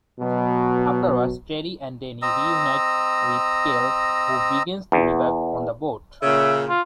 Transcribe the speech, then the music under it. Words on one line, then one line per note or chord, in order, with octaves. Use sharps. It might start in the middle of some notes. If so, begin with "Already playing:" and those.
Afterwards, Terri and Danny reunite with Cale, who begins to revive on the boat.
B2 F#3
C4 D#5 A#5 E6
E2
A#2 C#3 E5
F4